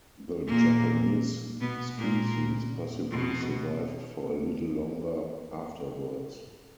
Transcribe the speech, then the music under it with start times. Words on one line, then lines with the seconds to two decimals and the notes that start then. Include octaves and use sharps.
The Japanese species possibly survived for a little longer afterwards.
0.47 A#2 A#3
1.60 B2 B3
1.98 A#2 A#3
3.11 B2